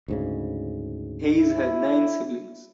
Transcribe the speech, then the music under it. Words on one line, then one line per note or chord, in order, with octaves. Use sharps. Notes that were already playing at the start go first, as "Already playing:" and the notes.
Hayes had nine siblings.
D2 G#2 C#3
E4